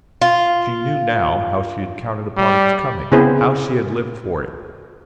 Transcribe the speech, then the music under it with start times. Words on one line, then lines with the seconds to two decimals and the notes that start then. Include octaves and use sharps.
She knew now how she had counted upon its coming, how she had lived for it.
0.22 F4
2.37 G3
3.12 C#3 B3 C4 E4 G#4 C5